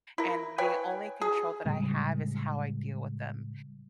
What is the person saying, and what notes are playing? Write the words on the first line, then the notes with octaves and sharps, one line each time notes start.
and the only control that I have is how I deal with them
E4 A#4
B4 C#5 G5 G#5
G#4
A2 C#3 G3 G#3